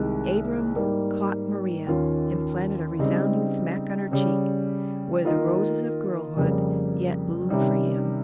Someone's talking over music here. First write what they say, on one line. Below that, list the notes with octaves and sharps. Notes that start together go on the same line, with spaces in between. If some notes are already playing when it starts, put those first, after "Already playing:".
Abram caught Maria, and planted a resounding smack on her cheek, where the roses of girlhood yet bloomed for him.
Already playing: C2 C3 D#3 G#3
G#2 G3 A#3
D#2 D#3 A#3 C#4 F4
C#3 G3 C4 D#4
C#3 G3 C#4
D#3 A#3 F4 A#4 D#5
F2 C#3 G3 A#3
C3 D#3 G3 C#4